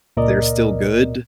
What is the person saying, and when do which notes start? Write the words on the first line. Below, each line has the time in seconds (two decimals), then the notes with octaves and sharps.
they're still good
0.17 C#2 A#2 A#4 D5 D#5